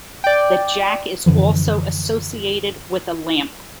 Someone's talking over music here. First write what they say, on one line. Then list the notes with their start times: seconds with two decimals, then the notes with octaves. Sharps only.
The jack is also associated with a lamp.
0.24 D5 G5
1.26 F#2 D3 E3 F3